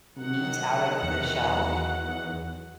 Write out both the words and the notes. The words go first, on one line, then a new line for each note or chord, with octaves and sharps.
meat out of the shell,
D#3 F#3 F#5
E2